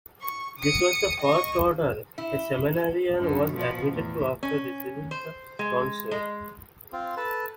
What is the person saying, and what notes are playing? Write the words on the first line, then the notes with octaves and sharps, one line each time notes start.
This was the first order a seminarian was admitted to after receiving the tonsure.
C#6
D#6 C#7
D#5 C#6
E4
F#2 D3
B2 F3
E2 A2
C#4
C5
G#3
G#3
C4 F4
A4 B4 A5